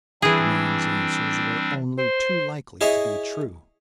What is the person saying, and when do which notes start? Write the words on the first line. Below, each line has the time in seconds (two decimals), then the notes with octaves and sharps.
The man's answers were only too likely to be true.
0.22 E3 G3 C4 D4 G#4
1.98 C5
2.81 E4 G#4 C#5 D#5 E5